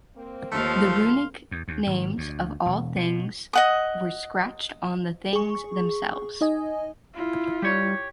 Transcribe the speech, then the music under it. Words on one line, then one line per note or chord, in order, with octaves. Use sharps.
The runic names of all things were scratched on the things themselves.
A#3 C4
D#2 F3 A3 F5 C6
E2
D#2
G#1
D2
E1
B2
D#5 F#5 D#6
G#4 C#6
D#4 D#5 G#5
E4 F4
G3 G4 C#5